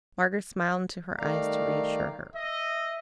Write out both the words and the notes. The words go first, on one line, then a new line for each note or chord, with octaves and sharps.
Margaret smiled into her eyes to re-assure her.
D#3 G3 A3 D5 F5 A#5
D#5 E5